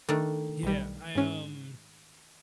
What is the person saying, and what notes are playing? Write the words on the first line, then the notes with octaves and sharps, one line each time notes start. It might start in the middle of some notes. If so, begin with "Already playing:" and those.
Yeah, I, um
D#3 A3 D4
B1 G3
G#2 C#4